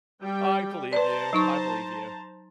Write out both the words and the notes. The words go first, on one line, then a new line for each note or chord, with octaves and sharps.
I believe you. I believe you.
G3 G5
B4 C5 D5 A5 A#5
F#3 D#4 C#6